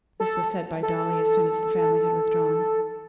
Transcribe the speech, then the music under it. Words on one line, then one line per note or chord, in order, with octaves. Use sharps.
This was said by Dolly as soon as the family had withdrawn.
A4
A4